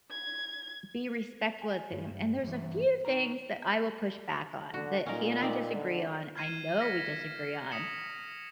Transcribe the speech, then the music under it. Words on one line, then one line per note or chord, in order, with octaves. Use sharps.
be respectful of him, and there's a few things that I will push back on that he and I disagree on, I know we disagree on,
G#6
G#5
G2
G2 E3
D#4 B4 A#5
D3 F#4
A#2 C#4 D#4 A#4
C4 D#4 D5
D3
F6 G#6 C7 D#7 E7
F6 A#6 B6 C#7
D#6 B6 C#7 E7 F#7